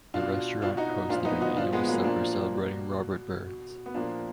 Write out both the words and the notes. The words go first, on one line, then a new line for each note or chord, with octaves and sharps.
The restaurant hosted an annual supper celebrating Robert Burns.
B2 D4 F4
B2 D4 F4
D#4 F#4
A#2 F3 D4 F4
B3 D#4
D#4 F#4
A#2 F3 D4 F4
G#3 B3
F#3 A#3
A#2 F3 A#3 D4
B2
B2
B2
B3
A#2 F3 A#3 D4